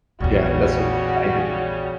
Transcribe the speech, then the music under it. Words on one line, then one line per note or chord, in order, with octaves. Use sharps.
Yeah, that's what I do.
A#1 E2 C#3 G3 C#4 F#4